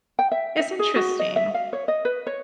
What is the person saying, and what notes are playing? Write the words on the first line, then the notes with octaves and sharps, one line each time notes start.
it's interesting.
G5
E5
E5
G#4
F#4
D#5
E5
F5
C#5
D#5
B4
C#5